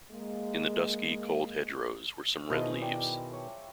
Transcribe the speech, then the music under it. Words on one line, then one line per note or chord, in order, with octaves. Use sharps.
In the dusky, cold hedgerows were some red leaves.
G#3 A#3
B2 D#3 F3 G#3 E4 D#5
D5 G5 A#5
C#5